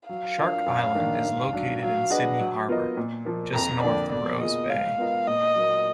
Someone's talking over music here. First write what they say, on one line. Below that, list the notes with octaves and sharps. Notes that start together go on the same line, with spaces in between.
Shark Island is located in Sydney Harbour, just north of Rose Bay.
F#3 F5
D4 F4 A#4
F#2
D#3 A#3 D4
G#2
F#3 D4
F#3 F5
D4 G#4 B4 D#5 F#5
F#3
B3 F4 A#4 D#5
A#2
F3 A#3
F2 A#5
D3 F3 A#3 D5
B2 D5
A#3 F4 G#4 D#5
G#3 F5
B3 F4 A#4 D#5
A#2 D#5
F#3 A#3